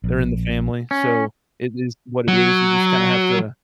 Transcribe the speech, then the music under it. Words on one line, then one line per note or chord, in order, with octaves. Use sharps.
they’re in the family, so it is what it is, you just kinda have to
A#1
C#4
F#3